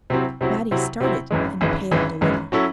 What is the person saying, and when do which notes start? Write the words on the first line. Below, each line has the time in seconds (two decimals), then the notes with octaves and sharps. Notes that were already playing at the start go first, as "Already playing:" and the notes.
Mattie started and paled a little.
0.10 C3 F#3 C4 E4
0.41 C3 F#3 C4 E4
0.71 C3 F#3 C4 E4
1.00 C3 F#3 C4 E4
1.31 G#1 F#2 E3 G#3
1.61 G#1 F#2 E3 G#3
1.91 G#1 F#2 E3 G#3
2.21 G#1 F#2 E3 G#3
2.52 F#3 C#4 E4 A4